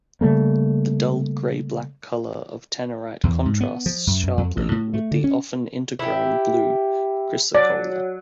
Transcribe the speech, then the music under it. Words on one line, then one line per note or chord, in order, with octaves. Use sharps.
The dull grey-black color of tenorite contrasts sharply with the often intergrown blue chrysocolla.
C#3 G3 A3 A#3
E2
G#2
B3
F3
F#2
F#2
F2
A1
A2
A3
D3
C#4
E4 G4
F#3 D5